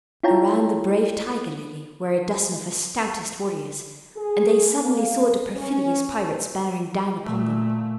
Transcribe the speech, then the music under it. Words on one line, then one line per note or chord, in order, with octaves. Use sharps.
Around the brave Tiger Lily were a dozen of her stoutest warriors, and they suddenly saw the perfidious pirates bearing down upon them.
E4 F4 C#5 G5 A5 A#5
G#4
A#3
C#4
A#2 A3